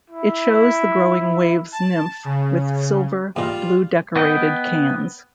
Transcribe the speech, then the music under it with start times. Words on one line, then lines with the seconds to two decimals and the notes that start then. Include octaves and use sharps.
It shows the growing waves nymph with silver, blue decorated cans.
0.10 E4
1.72 A5
2.25 C#3
3.36 E2 A#2 G3 F4
4.16 B3 D#5 G5